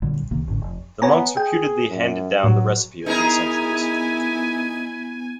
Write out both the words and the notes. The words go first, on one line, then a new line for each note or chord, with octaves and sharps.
The monks reputedly handed down the recipe over the centuries.
B1 A#2 D3 G3
C2 C3 D#3 A#3
A1 F#2 A2 D3
F1
B3 C#5 G#5 A#5
G#4 G5
F#2
A2 F#3
B3 D#4 E4 G#4 A#4 G#5